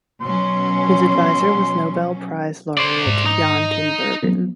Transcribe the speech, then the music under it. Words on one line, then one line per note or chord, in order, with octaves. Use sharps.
His advisor was Nobel Prize laureate Jan Tinbergen.
B2 F#3 C#4 C6
C5 D5
G#2
D#4
F3 F#3 B3